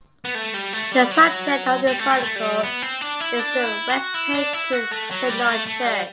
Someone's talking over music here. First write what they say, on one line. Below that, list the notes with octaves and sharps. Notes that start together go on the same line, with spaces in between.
The subject of this article is the West Paint Creek Synod Church.
B3
A3
G3
A3
G3
F#3
G3
A3
G3
A3
G3
B3
C4
D4
E4
D4
E4
F#4
E4
D4
E4
F#4
A3
F#3
G3
A3
A3
G3